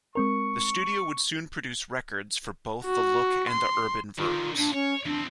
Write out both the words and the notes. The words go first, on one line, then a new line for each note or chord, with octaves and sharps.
The studio would soon produce records for both the Look and the Urban Verbs.
G#3 C4 A#4 C#6
F#4
C6
D3 D#3 F4
A#2 D4
C#4 C#5
E2 C4 D4